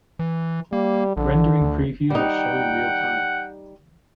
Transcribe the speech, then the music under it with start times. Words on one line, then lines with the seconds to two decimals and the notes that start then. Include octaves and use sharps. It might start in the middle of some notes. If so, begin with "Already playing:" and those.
Rendering previews are shown in real time.
0.19 E3
0.73 G3 A#3
1.17 A#1 D3
1.61 D2
2.10 G3 D#4 F#5 G5